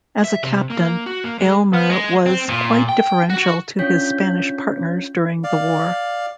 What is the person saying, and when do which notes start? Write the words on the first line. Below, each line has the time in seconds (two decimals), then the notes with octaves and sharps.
As a captain, Aylmer was quite deferential to his Spanish partners during the War.
0.24 E5
0.43 C3
0.70 A#3
1.06 F#4
1.24 A#3
1.40 G#3
1.73 B3
1.90 G#3
2.26 C4
2.49 A#2
2.89 G5
3.30 F#4
3.79 C#4 D4 F4 C#5 G6 B6
5.44 D5 F5